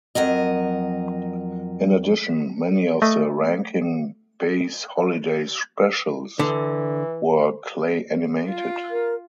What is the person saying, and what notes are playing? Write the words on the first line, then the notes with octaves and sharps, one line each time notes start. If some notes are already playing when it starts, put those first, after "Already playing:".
In addition, many of the Rankin-Bass holiday specials were clay-animated.
F2 F#3 A#4 D#5
A3 D#5
D3 E3
F4
A#4